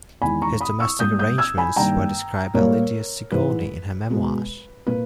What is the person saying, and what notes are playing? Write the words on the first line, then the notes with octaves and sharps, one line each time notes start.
His domestic arrangements were described by Lydia Sigourney in her memoirs.
E2 D#3 G#3 G#5 B5
A#5 C#6
B5 D#6
C#6 E6
G#2 G3 A#3 D#6 G6
D#6 G6
E6 G#6
G#5 B5
G2 D#3 A#3 G5 A#5
A#2 G3 A#3 A#4 C#5
G#2 E3 G#3 B4
B2 G#3
A#2 A#3 B4